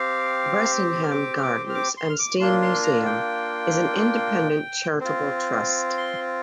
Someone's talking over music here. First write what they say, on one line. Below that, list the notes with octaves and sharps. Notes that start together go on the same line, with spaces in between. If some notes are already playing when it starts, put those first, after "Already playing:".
Bressingham Gardens and Steam Museum is an independent charitable trust.
Already playing: C4 G4 F5
F6
D6
F6
D6
F6
D6
C6
F6
D6
A#3 D4 F4 C6
C6
A#5
G5
C4 F4
C6